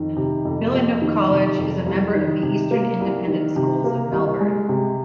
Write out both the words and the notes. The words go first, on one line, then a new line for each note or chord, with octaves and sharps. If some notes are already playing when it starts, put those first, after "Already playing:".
Billanook College is a member of the Eastern Independent Schools of Melbourne.
Already playing: F2 D#3
C3
F2
F2
D#3
C3
F2
C2
D#3
C3
A#3
C2
D#3
C3
A#3
C2
G#3
C3